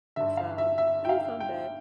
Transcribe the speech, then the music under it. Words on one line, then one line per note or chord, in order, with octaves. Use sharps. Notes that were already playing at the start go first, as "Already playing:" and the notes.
So, maybe someday.
G2 D3 E5
F5
E5
E5
G5
F5
G5